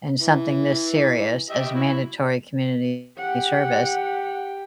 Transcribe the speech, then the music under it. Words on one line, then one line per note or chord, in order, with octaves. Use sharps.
in something this serious as mandatory community service,
E3
G4 D#5 E5
F#3 E4
G4 F#5